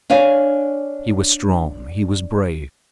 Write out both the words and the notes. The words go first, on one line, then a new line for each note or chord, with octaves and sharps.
He was strong. He was brave.
D4 C#5 F5 G#5